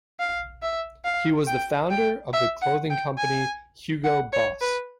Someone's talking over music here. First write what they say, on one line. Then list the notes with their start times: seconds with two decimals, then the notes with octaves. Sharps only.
He was the founder of the clothing company Hugo Boss.
0.20 F5
0.62 E5
1.05 F5
1.47 G5
1.91 G5
2.33 E5
2.62 F#5
2.90 G5
3.19 G#5
4.04 F#5
4.33 C#5
4.61 B4